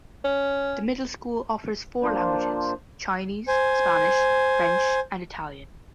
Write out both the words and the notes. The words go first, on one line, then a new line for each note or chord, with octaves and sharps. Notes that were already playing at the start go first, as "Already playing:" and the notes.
The middle school offers four languages: Chinese, Spanish, French, and Italian.
C#4
F3 A#3 D4 F4 C5
C5 G#5